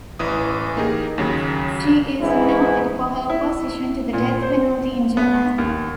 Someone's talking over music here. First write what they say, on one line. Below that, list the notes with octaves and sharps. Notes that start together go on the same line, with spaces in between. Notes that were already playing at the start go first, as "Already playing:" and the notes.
She is noted for her opposition to the death penalty in Japan.
A1 E3 D#6
A#3 D#4 G4 G#4 A#4
D#2 C#3 F#3
G#2 E3 E4
E4
A#2
C5
B3
D#2